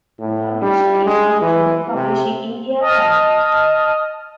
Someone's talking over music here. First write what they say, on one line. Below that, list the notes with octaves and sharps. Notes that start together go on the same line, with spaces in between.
The publisher is Outlook Publishing India Pvt.
A2
G3
G#3
E3
C3
D#5 A5 D#6 F6